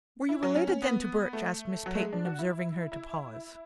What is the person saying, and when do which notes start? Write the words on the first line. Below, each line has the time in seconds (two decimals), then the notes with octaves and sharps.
"Were you related, then, to Birch?" asked Miss Peyton, observing her to pause.
0.29 E4
0.43 F#3
0.55 C#4
0.68 C#4
0.82 B3
1.33 A3
1.86 F#3
1.95 A3
1.99 G#3
2.13 D4
2.25 F#4
2.39 E4
2.92 E4